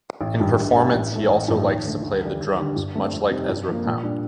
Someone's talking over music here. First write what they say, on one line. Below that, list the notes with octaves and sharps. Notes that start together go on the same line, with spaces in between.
In performance he also likes to play the drums, much like Ezra Pound.
A1
G2 D#3 G3
A#1
A2 G3
A1
A2 A3
A1
G2 F3 A#3 D#4
D#2
D3 A3
D2
D3 G3 D4
D#2
D3 G3
G2
D3 A3 C4
F2
C3 G3 C4 D#4
G2
F3 A#3
A#2
G3 D4 G4